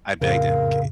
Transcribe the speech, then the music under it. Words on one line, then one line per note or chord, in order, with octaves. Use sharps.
I begged him. "Ca
F2 A2 C#3 A#4 F5